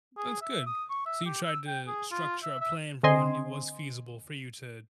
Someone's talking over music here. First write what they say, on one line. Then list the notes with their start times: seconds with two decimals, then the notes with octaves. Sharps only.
That's good. So you tried to structure a plan for when it was feasible for you to,
0.17 G#4
0.42 E5
0.67 D#6
0.89 C#6
1.06 E5
1.26 G4
1.44 E6
1.67 G5
1.87 G#4
2.12 F4
2.43 E5
2.61 E5
3.03 D3 C4 D#5 G#5 C6